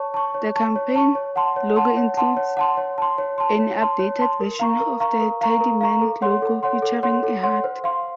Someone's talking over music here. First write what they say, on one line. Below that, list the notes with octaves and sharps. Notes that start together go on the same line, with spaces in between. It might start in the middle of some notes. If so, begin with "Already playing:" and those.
The campaign logo includes an updated version of the Tidyman logo featuring a heart.
Already playing: C#5 A5 C#6
A5 C#6
C#5
A5 C#6
C#5
A5 C#6
C#5
F#5 A5 C6
C#5
F#5 A5 C6
C#5
F#5 A5 C6
C#5
F#5 A5 C6
C#5
A5 C6
C#5
A5 C6
C#5
A5 C6
C#5
A5 C6
A#4
F5 A#5 C#6
A#4
F5 A#5 C#6
A#4
F5 A#5 C#6
A#4
F5 A#5 C#6
A4
C#5 F#5 C6
A4
C#5 F#5 C6
A4
C#5 F#5 C6
A4
C#5 F#5 C6
C5
F5 C6